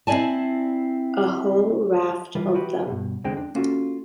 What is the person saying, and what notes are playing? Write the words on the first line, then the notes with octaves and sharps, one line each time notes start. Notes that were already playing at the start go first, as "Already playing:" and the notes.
A whole raft of them.
C4 E4 D5 G#5 A5
E3 G3 F4 A#4 B4
F#4 G4 B4
G2 B2
E2 D3 G#3 C4 D4 G5
D4
A#3 C#4 F4 F#4 A4